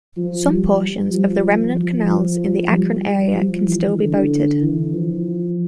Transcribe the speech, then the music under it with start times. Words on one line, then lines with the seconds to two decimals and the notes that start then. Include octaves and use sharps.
Some portions of the remnant canals in the Akron area can still be boated.
0.17 F3
0.48 G3
1.12 F3
1.76 F3
2.07 F3
2.70 G3
3.34 F3
3.66 E3
3.98 D3
4.62 E3
4.93 F3